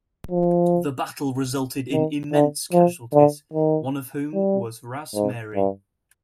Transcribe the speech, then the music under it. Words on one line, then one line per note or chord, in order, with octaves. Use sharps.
The battle resulted in immense casualties, one of whom was Ras Marye.
F3
D#3
D3
F3
D3
D#3
G3
G#2
G2